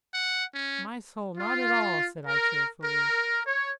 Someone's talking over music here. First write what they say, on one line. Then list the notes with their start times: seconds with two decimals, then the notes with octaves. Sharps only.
'My soul, not at all!' said I, cheerfully.
0.14 F#5
0.54 C#4
1.38 F4
2.27 A#4
2.84 A#4
3.46 C#5